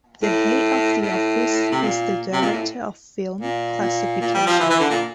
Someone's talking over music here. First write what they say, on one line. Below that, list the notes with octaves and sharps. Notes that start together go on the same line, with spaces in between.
The head of the office is the Director of Film Classification.
A2
A2
C3
A#2
C3
A#2
A2
A#2
A#2
A#2
G3
F3
E3
E3
D3
A#2